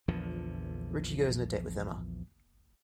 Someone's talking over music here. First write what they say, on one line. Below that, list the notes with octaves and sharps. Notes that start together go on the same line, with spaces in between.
Richie goes on a date with Emma.
A#1 E2 D3 F3